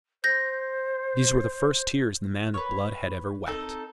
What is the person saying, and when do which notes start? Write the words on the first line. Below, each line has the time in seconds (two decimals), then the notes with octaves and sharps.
These were the first tears the man of blood had ever wept.
0.24 C5 G6 A#6
2.54 B4 C#5
3.46 C4 D#4 A4